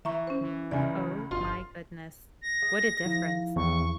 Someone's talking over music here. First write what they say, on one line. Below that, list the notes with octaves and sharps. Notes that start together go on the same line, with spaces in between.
Oh my goodness. What a difference.
E3 E5 A#5 C#6
C#4 C5
E3
C#2 C#3 D5 E5 G#5
G1 F4 C6
A#6
G#4 D#5
F3 D#4 E4
E2 C#6